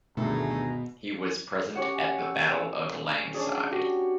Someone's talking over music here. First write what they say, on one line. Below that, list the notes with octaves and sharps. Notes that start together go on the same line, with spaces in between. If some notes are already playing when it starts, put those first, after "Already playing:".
He was present at the Battle of Langside.
D2 G2 B2 D#3 A3 B3 G#4 A#5
C#4 G4 C#5 F#5
E6
C#4 D4 G#4
F#4 G4